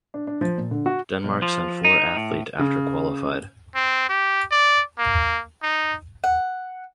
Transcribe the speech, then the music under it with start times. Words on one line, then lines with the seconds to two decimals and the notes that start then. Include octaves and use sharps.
Denmark sent four athlete after qualified.
0.14 D4
0.27 D4
0.41 F3
0.58 A#2
0.71 D3
0.86 F#4
1.24 B1
1.42 F3
1.85 D#4
2.17 A2
2.59 C#3
3.75 C4
4.09 G4
4.52 D5
4.99 A#3
5.63 D#4
6.24 F#5